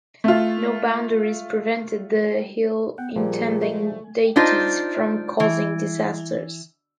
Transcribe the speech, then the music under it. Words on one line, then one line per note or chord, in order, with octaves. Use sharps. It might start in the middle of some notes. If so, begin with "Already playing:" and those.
No boundaries prevented the ill-intending deities from causing disasters.
A3 F4
B3 F#5 G5
A#2 F3 G3 G#4
A3
D4 D#4 F4 C5
E3